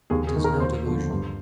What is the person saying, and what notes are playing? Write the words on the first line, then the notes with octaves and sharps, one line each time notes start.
It is no delusion.
D#2 G#4
G#4
D#3
A#4
D#2 C5
D3 F3
G2